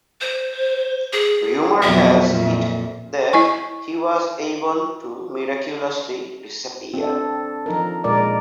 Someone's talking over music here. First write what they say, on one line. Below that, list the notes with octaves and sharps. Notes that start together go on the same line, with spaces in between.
Rumour has it that he was able to miraculously disappear.
C5
G#4
F2 B2 F#3 E5
F2 A#2
E4 D#5 G#5 C#6
C4 D4 A4
F3 D#4 A#4
A#2 G#3 A#4 D5